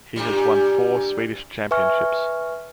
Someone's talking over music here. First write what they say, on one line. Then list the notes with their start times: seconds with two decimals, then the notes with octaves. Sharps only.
He has won four Swedish Championships.
0.16 G2 A#2 G3
1.71 B4 E5 G#5 C#6 F6